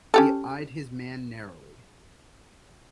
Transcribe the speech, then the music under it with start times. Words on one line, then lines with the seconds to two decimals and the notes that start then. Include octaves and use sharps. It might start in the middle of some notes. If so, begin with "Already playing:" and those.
He eyed his man narrowly.
0.14 C#4 G4 A4